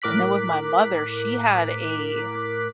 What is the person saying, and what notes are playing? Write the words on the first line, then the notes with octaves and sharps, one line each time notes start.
and then with my mother, she had a
A2 A#4 D6 F#6 B6